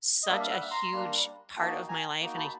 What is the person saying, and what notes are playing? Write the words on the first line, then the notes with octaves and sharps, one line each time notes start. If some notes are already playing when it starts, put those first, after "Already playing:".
such a huge part of my life, and a
D#5
G3 A#3 D4 D5 E5
F5
E5 F#5
A#5 C6
G3 A#3 D4
A#3 D#4 F#4 G5 A5
G#5 A#5
A#3 D#4 F#4
A5 B5